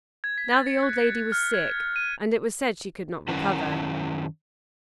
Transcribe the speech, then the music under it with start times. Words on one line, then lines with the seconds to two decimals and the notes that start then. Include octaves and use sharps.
Now the old lady was sick, and it was said she could not recover.
0.24 G#6
0.38 B6
0.51 A6
0.67 C#7
0.83 F#6
1.06 G#6
1.32 F6
1.54 G#6
1.96 D#7
3.28 F#2 D#3 C#4 E4 A#4 F#5